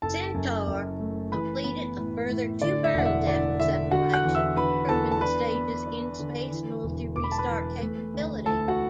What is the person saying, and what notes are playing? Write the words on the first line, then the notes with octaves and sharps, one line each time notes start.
Centaur completed a further two burns after separation, proving the stage's in-space multi-restart capability.
F#1 A4 A5
F#2
F#2
A3
E3 B4 B5
B3
A2
A2
D3 D5
E5
E1 F#5
E5
D3 D5
D3 E5
D3 F#4 F#5
F#5 F#6
E2
E5 E6
D3 B4 B5
E2 A4 A5
A5
D4 B4 B5
B3
D4
D3
E3
E1
E1 D6
B5
A5
B4 B5
E3
A3
D2
D2 A4 A5
F#4 F#5